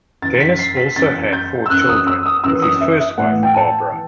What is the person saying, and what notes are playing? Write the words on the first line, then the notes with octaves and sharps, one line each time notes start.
Dennis also had four children with his first wife Barbara.
F#2 E3 A6
A6
B6
C7
B6
F#2 E3 A6
G6
E6
F#2 E3 F#6
D#6
E6
D#6
F#2 E3 E6
D#6
E5
E5
A2 E3 F#5
G5
A5
E3